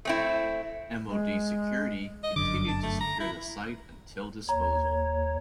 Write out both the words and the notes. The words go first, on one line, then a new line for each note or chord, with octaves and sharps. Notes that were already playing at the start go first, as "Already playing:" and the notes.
MoD security continued to secure the site until disposal.
A3 C4 E4
G#3
D#5
G1 F#2 D3 D6
A5
A3
A#5
E4
D#2 C#5 A#5